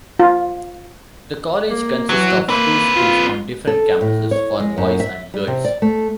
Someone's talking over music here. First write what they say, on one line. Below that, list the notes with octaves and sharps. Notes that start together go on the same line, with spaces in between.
The college consists of two schools on different campuses for boys and girls.
F4
A#3
E3 F#3
A#3 C4 B4
F4
A4
A2
C#5
G#3
F#2
E5
G3
C3
D5
A3